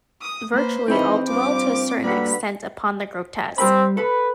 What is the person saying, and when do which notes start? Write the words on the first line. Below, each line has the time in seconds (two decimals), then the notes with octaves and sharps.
Virtually all dwell to a certain extent upon the grotesque.
0.21 D#6
0.54 A#3 B4 C5
0.88 D#3 E3 C4 G#4 D#5 B5
1.28 G2 F3 D6
2.04 D3 G3 A#3 B3 F#4 B5
3.58 G3 C4 A#4 B5
3.97 A4 B4 B5